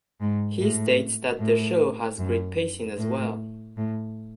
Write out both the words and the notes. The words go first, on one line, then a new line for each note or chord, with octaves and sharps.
He states that the show has great pacing as well.
G#2
A2
A2
F#2
A2
A2